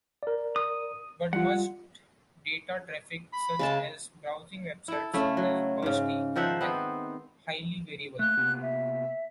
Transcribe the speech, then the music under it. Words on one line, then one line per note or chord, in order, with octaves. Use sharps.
But much data traffic, such as browsing web sites, is bursty and highly variable.
A#4 D5
D#6
G3 F4 F#5
B5
C#3 G#3 A5
E4 A4
C#3 A3 E4
F#3
G#2 C#3
D#3 F3 E5 F#5
B3 C4
A3 A#3 F#6
C3 A#3 B3
E5